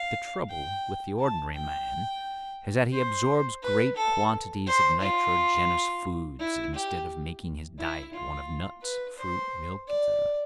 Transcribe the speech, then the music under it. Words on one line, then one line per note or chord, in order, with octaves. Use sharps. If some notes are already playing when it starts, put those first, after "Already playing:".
The trouble with the ordinary man is that he absorbs great quantities of nitrogenous foods instead of making his diet one of nuts, fruit, milk, etc.
Already playing: F5
G5
A5
G5
C5
B4
A4
C5
F4
E4
G4
E4
F4
B4
C5
D5